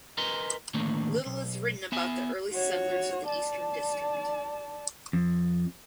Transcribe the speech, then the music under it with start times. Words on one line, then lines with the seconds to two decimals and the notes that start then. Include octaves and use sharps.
Little is written about the early settlers of the Eastern District.
0.18 A#4 B4 D#5 G#5 A#5 C6
0.74 A2 D3 D#3 A3 A#3
1.26 B1
1.92 B3 E5 G#5
2.52 F#4 C#5
3.27 D5 A5
5.13 F2